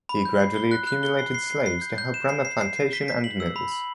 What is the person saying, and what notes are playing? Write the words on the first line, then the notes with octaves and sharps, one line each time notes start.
He gradually accumulated slaves to help run the plantation and mills.
B5
G6
C7
G7
F#6
F#6
G7
C7
C7
C7
C7
G6
G6
E7
C7
C7
C7
C7
B6
B6
F#7
E6
B5
F#7